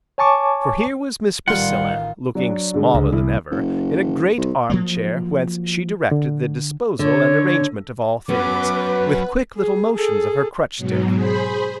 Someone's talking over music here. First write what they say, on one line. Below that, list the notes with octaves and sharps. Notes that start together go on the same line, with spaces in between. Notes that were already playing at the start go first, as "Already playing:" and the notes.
For here was Miss Priscilla, looking smaller than ever, in a great arm chair whence she directed the disposal and arrangement of all things, with quick little motions of her crutch-stick.
C#5 G#5 A5 C#6 D6
A1 D#3 G3 F4 F#5
F#3 D4 F#4
D3 G#3
C#2
C2 E4
F#1
C2
F3 F#3 A#3
D3
D3 C#5
F#3 B3 C#4 B4 D6
G#4
G#4 A4
G#2 B2 F#3
G#4 C5 B5